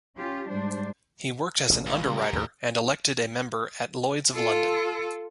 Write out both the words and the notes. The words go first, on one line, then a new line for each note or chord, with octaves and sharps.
He worked as an underwriter and elected a member at Lloyd's of London.
C#4 F4 G4
G#2 G3 D4 C5
A1 G2 C#3
C#2
C#3 G3
G4 A#4
D#2 A2
F4 A4